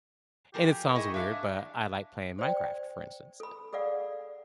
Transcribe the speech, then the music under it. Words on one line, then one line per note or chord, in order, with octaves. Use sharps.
and it sounds weird, but I like playing Minecraft, for instance,
F3 G4 G#4 A#4
E4 G#4 D#5 C#6
D4 E5 F5
C5 D5 G5
A4 B5
G#4 A4 D5 F5 F#5